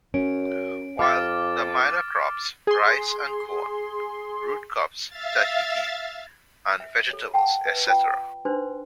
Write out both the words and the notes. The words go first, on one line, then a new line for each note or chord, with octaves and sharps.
While the minor products, rice and corn, root crops, Tahiti and vegetables, etc.
F#2 C#4 D7
F2 F5 D6 F6 A6
G#4 C6
E5 F5 A6
E5
A4 C#5
F#5 G5 A5
B4 E5
F4 G5
D4 D#4 B4 C5 C6